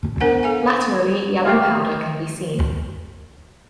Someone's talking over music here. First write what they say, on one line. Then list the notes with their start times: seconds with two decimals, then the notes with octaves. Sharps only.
Laterally yellow powder can be seen.
0.20 B3 D4 A#4 C5 F#5 G#5
0.43 A4 F5 G#5
1.45 A3 G4 F5